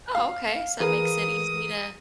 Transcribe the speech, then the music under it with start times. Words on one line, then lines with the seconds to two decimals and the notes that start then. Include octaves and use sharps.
Oh, okay. So, that makes it easy to
0.15 F5
0.80 E3 G#4 A#4 B4 D#6